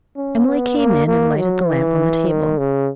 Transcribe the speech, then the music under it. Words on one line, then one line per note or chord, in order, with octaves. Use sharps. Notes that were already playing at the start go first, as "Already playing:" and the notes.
Emily came in and lighted the lamp on the table.
C#4
B3
A#3
A#3
F#3
E3
D#3
C#3